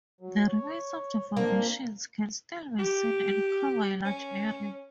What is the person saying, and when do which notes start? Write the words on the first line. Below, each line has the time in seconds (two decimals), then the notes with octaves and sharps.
The remains of the foundations can still be seen and cover a large area.
0.21 F#3
0.48 C#5
1.37 A#2 A#3 C4 D4
2.79 G4
4.05 C#4